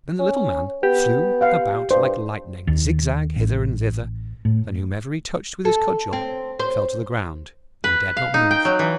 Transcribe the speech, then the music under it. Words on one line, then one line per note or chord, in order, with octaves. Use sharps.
Then the Little Man flew about like lightning, zig-zag, hither and thither, and whomever he touched with his cudgel fell to the ground, and dared not move.
C#4
B3 G4
F5 F#5
G2 C5
D#2
A1
A2
A4
C4
C5
B4
F5
D#4
G5
F#3
E3